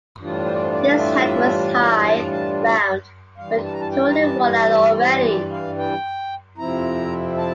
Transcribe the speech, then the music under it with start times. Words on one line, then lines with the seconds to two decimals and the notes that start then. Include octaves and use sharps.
This hat was high, round, but totally worn out already.
0.20 A2 E3 G3 D4 F4
0.45 C5
0.54 D5
0.62 C5
0.72 D5
0.98 E5
1.79 A#5
2.06 A5
2.32 A5
3.38 G2 E3 G3 F5
3.65 A5
3.73 A#5
3.81 A5
3.92 G5
4.10 A#5
4.19 A5
4.44 F5
4.71 E5
4.99 C5
5.25 D5
5.52 F5
5.79 G5
6.58 F2 C3 F3 C4 E4 A#5
7.37 A5